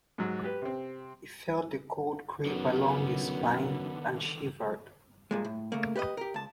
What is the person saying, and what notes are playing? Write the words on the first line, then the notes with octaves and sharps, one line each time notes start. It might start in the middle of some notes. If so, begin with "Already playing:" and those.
He felt the cold creep along his spine, and shivered.
G#2 F#3
G4 B4
C3 C4
F#2 D3 D#3 B3
G2 A#2 G#3
A2
C#3 A3 A#3
G4 B4 D5 D#5
G4 A#4
C#2 A5